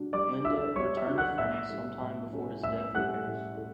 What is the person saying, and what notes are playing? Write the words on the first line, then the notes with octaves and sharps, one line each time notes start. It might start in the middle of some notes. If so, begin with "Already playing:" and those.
Lindet returned to France some time before his death in Paris.
Already playing: G3 D4 F#4
G3 D5 D6
D4 F#4 E5 E6
G3 C#5 C#6
E5 E6
D4 F#4
F#5 F#6
A2 E5 E6
G3 C#4 E4 A4
A2
G3 C#4 E4 A4
A2 E5 E6
G3 C#4 E4 A4 F#5 F#6
A2
E4 A4